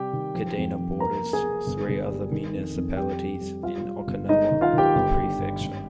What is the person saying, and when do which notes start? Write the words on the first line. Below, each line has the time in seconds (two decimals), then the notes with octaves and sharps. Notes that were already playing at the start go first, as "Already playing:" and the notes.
Kadena borders three other municipalities in Okinawa Prefecture.
Already playing: C3 G3 G4 G5
0.13 D#3
0.35 F3
0.57 F2
0.79 F3
1.00 A#3 A#4 A#5
1.23 A#3
1.33 G#4 G#5
1.44 A#3
1.66 G1
1.89 G1
2.10 G3
2.32 D#3
2.54 F2
2.76 F2
2.97 G3 G4 G5
3.19 G3
3.41 G3
3.63 G3 F4 F5
3.85 G3
4.07 G1
4.29 G#3 D#4 D#5
4.51 D#3
4.61 F4 F5
4.73 D#3 G4 G5
4.95 G1
5.16 G2
5.38 G2
5.60 G#1